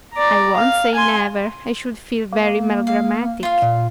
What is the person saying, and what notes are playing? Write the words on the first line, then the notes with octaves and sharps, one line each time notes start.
"I won't say 'never'; I should feel very melodramatic."
D5 A#5
F5
G#5 C6
A#3
F5
F4 F5
A#2